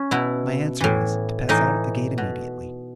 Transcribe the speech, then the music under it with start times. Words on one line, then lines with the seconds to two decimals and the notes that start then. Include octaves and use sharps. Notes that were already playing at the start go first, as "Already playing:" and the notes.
My answer was, to pass out at the gate immediately.
Already playing: C#4
0.11 B2 E4
0.80 A2 E3
1.49 A2 E3 D#4
2.18 B2